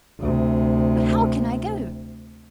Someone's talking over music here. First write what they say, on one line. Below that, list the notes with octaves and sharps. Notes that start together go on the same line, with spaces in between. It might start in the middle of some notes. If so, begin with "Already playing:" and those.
But how can I go?
D2 C3